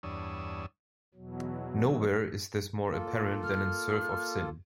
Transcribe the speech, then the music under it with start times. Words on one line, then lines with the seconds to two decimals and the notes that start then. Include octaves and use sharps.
Nowhere is this more apparent than in Surf Of Syn.
0.03 E2 G2 D4 C#5 D#6 E6
1.14 E2 B2 F#3
2.90 A#3 F4 A4
3.43 F6